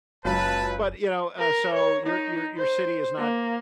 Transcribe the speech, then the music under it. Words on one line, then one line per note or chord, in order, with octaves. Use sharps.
but, you know uh, so your your your city is not,
F#1 C#2 F#3 F4 B4 A5
A#4
C#5
D#4
C5
A#3